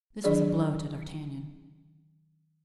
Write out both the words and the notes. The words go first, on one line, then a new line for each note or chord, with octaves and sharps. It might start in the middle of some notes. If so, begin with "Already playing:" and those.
This was a blow to D'Artagnan.
D#3 F#3 D4 G#4 D5